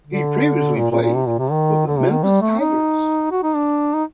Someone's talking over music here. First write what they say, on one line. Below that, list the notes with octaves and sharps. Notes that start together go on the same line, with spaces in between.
He previously played for the Memphis Tigers.
D3
A#2
A#2
A#2
C3
A#2
C3
D#3
D3
C3
D#3
G3
A3
D#4
F#4
D#4
D4
D#4